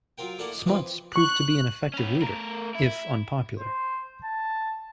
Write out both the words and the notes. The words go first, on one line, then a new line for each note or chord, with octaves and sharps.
Smuts proved to be an effective leader, if unpopular.
F#3 F4 A#4 G5
A3 A#3 D4 E4 F#5
D4 D#4
E3 F3 C4 B4
C#6 F#6
C#4 B4
A3 A#4
E4
C5
A5